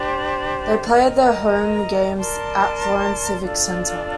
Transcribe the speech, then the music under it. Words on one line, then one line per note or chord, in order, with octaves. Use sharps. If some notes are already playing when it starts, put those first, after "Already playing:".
They played their home games at Florence Civic Center.
Already playing: D4 G4 C5
A#4 D#5 A#5
A#4 D5 A5 C6
D4 F4 A4 D5